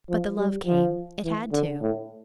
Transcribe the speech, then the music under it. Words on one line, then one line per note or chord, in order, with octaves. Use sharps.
But the love came ... it had to.
F3
G3
F3
E3
D3
A2